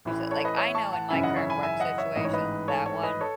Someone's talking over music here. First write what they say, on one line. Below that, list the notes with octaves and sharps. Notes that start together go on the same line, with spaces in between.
use it, like I know in my current work situation, that one
A1 A2 E3
A4 C#5
B4 D#5
C#5 E5
A5 C#6
F#5 A5
G#1 F#2 C#3 E3 E5 G#5
D#5 F#5
C#5 E5
G#5 B5
E5 G#5
D#5 F#5
C#5 E5
A1 G#2 E3 D#5
C#5
B4 D#5
A4 C#5
A4 C#5
B4 D#5
A4 C#5